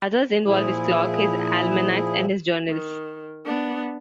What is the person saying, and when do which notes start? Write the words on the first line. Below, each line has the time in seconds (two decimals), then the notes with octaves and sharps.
Others involve his clock, his almanacs and his journals.
0.45 A#2 F3 E4 G#4
2.69 D#3
3.45 B3 D4